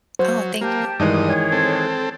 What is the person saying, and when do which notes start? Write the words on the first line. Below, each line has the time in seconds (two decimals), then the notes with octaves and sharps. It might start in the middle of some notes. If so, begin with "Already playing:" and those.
Oh, thank you.
0.19 F#3 C5
0.61 A#3 G4 A5
1.00 G2 D#3 E3 G#3 D#6
1.26 G#4 C#5
1.52 C4 A4